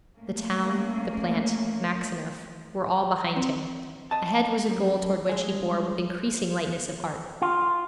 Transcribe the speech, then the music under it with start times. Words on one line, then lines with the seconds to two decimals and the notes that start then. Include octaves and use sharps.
The town, the plant, Maxineff, were all behind him. Ahead was a goal toward which he bore with increasing lightness of heart.
0.16 A3 A#3 C#4
3.36 C4
4.11 D#5 A5
4.70 F#2
5.29 G2 G#3 G#4
7.42 F4